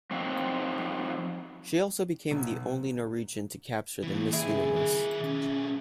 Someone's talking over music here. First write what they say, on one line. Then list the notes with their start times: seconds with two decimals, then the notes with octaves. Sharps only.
She also became the only Norwegian to capture the Miss Universe.
0.11 F3 F#3 C4 D#4
2.31 B1
4.03 A#2 E3
4.33 E4 G#4
4.46 D#2 C#3
4.74 D#3 E5
5.21 B1 C#4